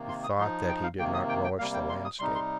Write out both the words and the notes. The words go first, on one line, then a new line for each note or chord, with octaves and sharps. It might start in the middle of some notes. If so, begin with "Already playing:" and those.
He thought that he did not relish the landscape.
Already playing: C3 D#3 A#3
C6
D#6
F3 D#4 C6
G5
F5
C3 D#3 A#3 G5
D#6
G5
G5
C3 G3 A#3 F5
G5
C6
D#6
C3 G3 D#4 C6
C6